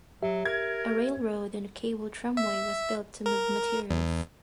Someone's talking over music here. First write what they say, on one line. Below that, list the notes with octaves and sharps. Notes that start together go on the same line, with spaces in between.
A railroad and cable tramway was built to move materials.
F#3 G4 E5
A#4 G#6
E5
A#4
E2